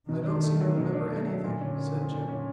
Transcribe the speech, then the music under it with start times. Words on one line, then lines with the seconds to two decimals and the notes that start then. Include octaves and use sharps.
"I don't seem to remember anything," said Jim.
0.09 B2 D#3
0.26 D4
0.43 A3
0.60 F#3
0.77 B2
0.94 D4
1.10 A3
1.27 F#3
1.44 A#2 D3
1.61 C#4
1.78 A#3
1.95 F3
2.11 A#2
2.28 C#4